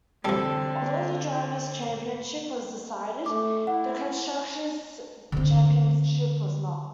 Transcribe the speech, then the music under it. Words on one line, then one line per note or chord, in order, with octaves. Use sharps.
Although the Drivers' Championship was decided, the Constructors' Championship was not.
D3 F3 G3 C4 A4
A3 D6
E4 F#5
D3 C4